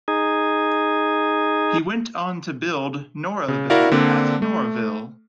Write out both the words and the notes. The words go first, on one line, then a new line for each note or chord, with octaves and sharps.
He went on to build "Norahville" at Noraville.
D#4 G#4
C#3
E4 F#4 A#4 D5 F5
D3 A#3 C4 D4
A3